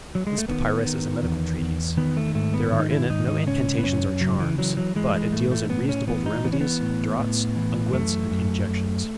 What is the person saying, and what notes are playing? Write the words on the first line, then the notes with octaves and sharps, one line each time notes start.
This papyrus is a medical treatise; there are in it no incantations or charms; but it deals in reasonable remedies, draughts, unguents and injections.
F#3
G#3
A3
D#3 B3
D#3
E2
E2
D#3 B3
A3
G#2 A3
B3
D#3
D#4
E4
G#2 D#4
D#4
C#3 C#4
B3
F#2 C#4
C#3 F#3
E3
E3 F#3
F#3
E3 G#3
G#3
A2 A3
A3
A2 B3
C#4
E3 B3
D#4
E3 B3
C#4
B3
A2
A2
E3
F#2 A3
F#2
F#2